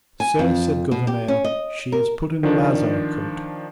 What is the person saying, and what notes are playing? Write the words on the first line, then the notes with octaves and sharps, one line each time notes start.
Sir, said Gouvernail, she is put in a lazar-cote.
G#5
F2
B2
G4
C#4
D#5
A#4
D#3 F3 D4 D5